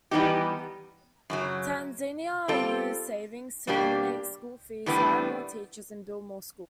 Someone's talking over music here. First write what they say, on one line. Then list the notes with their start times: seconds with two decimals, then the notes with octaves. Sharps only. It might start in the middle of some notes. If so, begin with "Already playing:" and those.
Tanzania used savings to eliminate school fees, hire more teachers, and build more schools.
0.11 E3 G3 B3 D#4 G4
1.30 F#2 C#3 F#3
2.48 G3 C4 F4 A4
3.67 B2 G3 A#3 D4 G4
4.86 A2 E3 G3 B3 D4